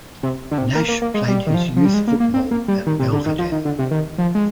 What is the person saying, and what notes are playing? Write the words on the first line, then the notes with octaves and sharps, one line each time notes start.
Nash played his youth football at Belvedere.
C3
D3
C3
A#3
A#3
A#3
G#3
G3
D#3
F3
F3
G3
G#3
A#3
A#3
C4
A#3
G3
D#3
C3
D3
D#3
F3
D#3
D3
C3
D#3
F3
G#3